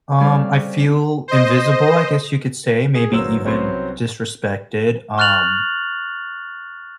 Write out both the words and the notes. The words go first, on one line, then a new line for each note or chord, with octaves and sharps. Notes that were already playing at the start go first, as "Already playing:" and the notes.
Um, I feel invisible, I guess you could say, maybe even disrespected, um
G3 C4 C#4 A4 D5 F5
C5 D#5
G#4
G1 F#3 A#3 C5 E6 E7
C2 F#3 C4 C#4 B4 C5
C#6 F6 F#6 A6 F7 F#7